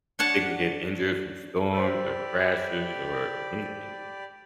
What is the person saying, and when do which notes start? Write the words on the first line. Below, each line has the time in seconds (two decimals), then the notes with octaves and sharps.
They can get injured from storms or crashes or anything.
0.19 D4 C#5 F#5 A5
1.73 G4 C5 D5 B5 E6